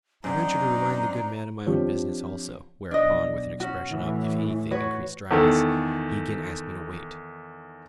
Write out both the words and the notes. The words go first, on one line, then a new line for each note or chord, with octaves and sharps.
I ventured to remind the good man of my own business also; whereupon, with an expression of, if anything, increased dryness, he again asked me to wait.
F#2 C4 D4 D#4 A#5
F3 C4 D4 F4 G4 C#5
B1 D4 D#5
C#4 F#4
A2 E3
F#4 B4 C#5
E2 D#3 A4